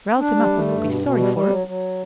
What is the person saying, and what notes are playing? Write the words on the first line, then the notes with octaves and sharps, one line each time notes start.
"Rouse him up, or you'll be sorry for it."
D4
G3
A3
G2
B2
B2
G3
G3
F#3
F#3